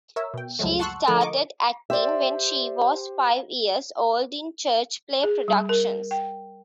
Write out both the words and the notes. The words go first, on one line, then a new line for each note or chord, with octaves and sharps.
She started acting when she was five years old in church play productions.
A#4 C#5 E5 E6
B2 G5
C#2 F#2 F3 F#3 G#3 A3
F#5 A5 C6 C#6 E6 F#6
D3 F3 A3 A4 A#4
A#4 D#5 C#6 D6
G4 C5 D5 E5
G#4
G3
A#4
G5